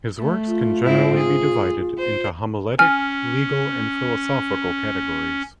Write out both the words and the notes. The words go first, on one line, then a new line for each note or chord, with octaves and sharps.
His works can generally be divided into homiletic, legal, and philosophical categories.
A3
F4
G#2 C4 E4
G#4
C5
C#4 G#5 F6